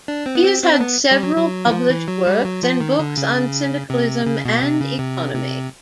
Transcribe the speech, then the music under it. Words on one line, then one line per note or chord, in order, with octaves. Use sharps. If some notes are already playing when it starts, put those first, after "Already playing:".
He has had several published works and books on syndicalism and economy.
D4
C4
B3
C4
C4
B3
G3
F#3
F#3
E3
F3
E3
F#3
G3
F#3
F3
D#3
D3
C#3
C3
C#3
B2
C3
C#3
C3
C3